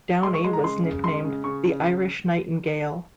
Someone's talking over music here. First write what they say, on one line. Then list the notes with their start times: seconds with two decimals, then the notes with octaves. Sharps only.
Downey was nicknamed "The Irish Nightingale".
0.23 G#3 C6
0.34 C#6
0.44 G#3 C6
0.53 A#5
0.64 C#3 C6
0.83 C#3
1.04 G#3 C6
1.25 C#3
1.44 C#3 C#6
1.65 C#3